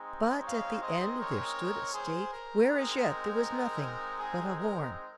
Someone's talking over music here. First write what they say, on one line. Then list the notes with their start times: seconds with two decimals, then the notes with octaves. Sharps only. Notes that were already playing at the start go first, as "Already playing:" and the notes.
But at the end there stood a stake where as yet there was nothing but a horn.
Already playing: G#3 C4 D#4
0.44 C#5 F5
0.81 C5 D#5
1.18 A#4 C#5
1.93 G#4 C5
2.31 A#4
2.69 G#3 C4 D#4
4.18 G#4
4.56 A#4